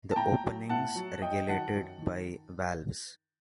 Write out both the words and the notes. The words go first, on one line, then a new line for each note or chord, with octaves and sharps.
The openings regulated by valves.
A5
A2 G5 A#5
F#3
A2 F#5 A5
F#3
F#2 D#5 G5
D#3 F#3 F#5 A5
F#2
D#3